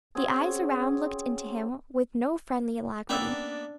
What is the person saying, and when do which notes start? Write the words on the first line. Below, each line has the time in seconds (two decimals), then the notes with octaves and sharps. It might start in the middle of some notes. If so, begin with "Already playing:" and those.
The eyes around looked into him with no friendly alacrity.
0.15 C4 C#4 F#4 G#4
3.09 A#3 B3 C#4 D4 D5 E5 E6